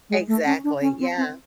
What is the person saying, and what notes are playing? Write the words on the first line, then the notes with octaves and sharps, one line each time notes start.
Exactly, yeah.
G#3
A3
C#4
D4
C#4
C4
C4